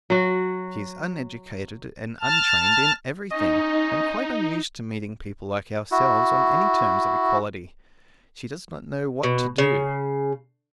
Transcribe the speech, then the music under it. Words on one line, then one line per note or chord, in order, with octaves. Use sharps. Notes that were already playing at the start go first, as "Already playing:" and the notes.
She is uneducated and untrained in everything, and quite unused to meeting people like ourselves on any terms of equality. She does not know what to do.
F#3 F#4
A5 F6
C#4 D#4 D#5
E4 F#4
B2
C#3